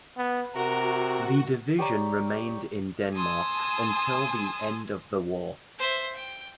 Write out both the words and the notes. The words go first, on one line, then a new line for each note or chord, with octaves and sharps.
The division remained in Denmark until the end of the war.
B3
C3 F#4 A#4
G4 C#5 D5 A#5
G#5 A5 C6 D#6 E6
C5 E5
G5